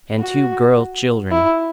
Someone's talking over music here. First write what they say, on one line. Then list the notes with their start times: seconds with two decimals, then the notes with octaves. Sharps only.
And two girl children.
0.20 F#4
1.31 E4